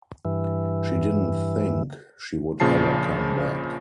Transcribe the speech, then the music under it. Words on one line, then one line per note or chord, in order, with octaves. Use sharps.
She didn't think she would ever come back.
G2 E3
A#1 A#2 C#3 F3 A5 C7